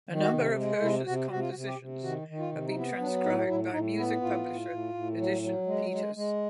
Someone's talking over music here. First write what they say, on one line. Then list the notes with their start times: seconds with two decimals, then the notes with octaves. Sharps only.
A number of Hersch's compositions have been transcribed by music publisher Edition Peters.
0.09 D#3
0.21 F#4
0.33 C3
0.57 G#3
0.82 C3 E4
1.06 C3 F#4
1.30 C3 F#4
1.40 F4
1.50 F#4
1.54 C3
1.66 G4
1.79 C3
2.03 D#3 F#4
2.28 D#3
2.39 F4
2.52 C3
2.67 D#4
2.76 B3 E4
3.00 F#3 D4
3.24 A2 D#4
3.48 A2 E4
3.72 A2 D#4
3.97 B3 E4
4.21 A2 F4
4.46 A2
4.69 A2
4.94 A2
5.18 F#3
5.42 F#3
5.67 G#3
5.90 G#3
6.15 G#3